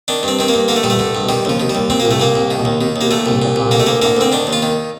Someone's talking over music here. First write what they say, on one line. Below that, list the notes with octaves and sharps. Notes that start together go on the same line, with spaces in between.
The town's rugby league team competed in the Maher Cup.
D#3 D4
G2 C4
D#3 C4
A#3
G2
D3 A#3
A3
G2 G3
A3
D3
G2
D#3 G3
D#2 F3
D#3
G3
D#2
A#2 C4
A#3
C2
A3
A#2 A#3
C2
D#3
D#2
D#3
D#2
A#3
A#2 A3
C2
A#2
C2
D3 A#3
A3
D2 A#3
D3 A#3
D2 C4
D#3 D4
D#2
F4
D#3